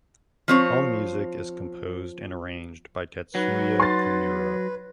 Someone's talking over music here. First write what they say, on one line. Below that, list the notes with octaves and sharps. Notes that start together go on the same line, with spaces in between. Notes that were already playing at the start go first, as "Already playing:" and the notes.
All music is composed and arranged by Tetsuya Komuro.
F3 C4 C#5
F#3 D#4 B4
C6 A6